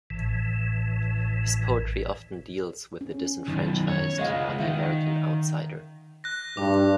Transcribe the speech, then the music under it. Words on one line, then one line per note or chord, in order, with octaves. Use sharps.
His poetry often deals with the disenfranchised, or the American outsider.
A1 A2 E3
C#4
F#2 D#3
C#5
C#3 G#3 D#5 F5 F#5
D#3 E5
F#6 A#6
G2 D6